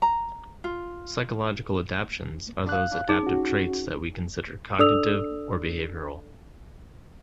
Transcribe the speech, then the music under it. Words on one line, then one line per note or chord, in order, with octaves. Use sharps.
Psychological adaptions are those adaptive traits that we consider cognitive or behavioral.
A#5
F4
F5 F#6
D#4 G#4
C#4 F#4
D4 A4 D5 D#6 E6 F7